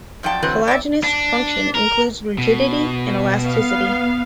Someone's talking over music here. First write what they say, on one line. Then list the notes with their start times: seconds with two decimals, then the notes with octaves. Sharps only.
Collagenous function includes rigidity and elasticity.
0.23 F#2 F3 D5 G5 A5
0.42 D3 E3 F#3 C4 B4
0.68 D5 E5
1.04 D4
1.75 A#4
2.38 B2
3.43 B3 F5